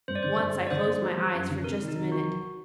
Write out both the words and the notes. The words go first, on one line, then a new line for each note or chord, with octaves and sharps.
Once I closed my eyes for just a minute.
G2 C5
D5
D3 C5
G2
G2
D5
D3 C5
A#3
G3
G3
F#2
D3
C3 A#4
D#3
D#4
D#3
F#3 F#4
F#3